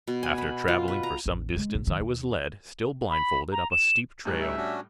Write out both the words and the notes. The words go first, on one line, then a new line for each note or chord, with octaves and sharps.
After traveling for some distance I was led, still blindfolded, up a steep trail.
B2
G#5
B5
F4
B4
A#5
A1
G#3
A#1
D#3
D#2
B5
A#5
E7
A2 G3 C#4 D#4 F#6
E5
C#4 D4 F#4